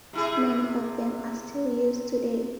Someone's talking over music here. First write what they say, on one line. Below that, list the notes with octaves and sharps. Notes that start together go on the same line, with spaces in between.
Many of them are still used today.
C3 E4 G#4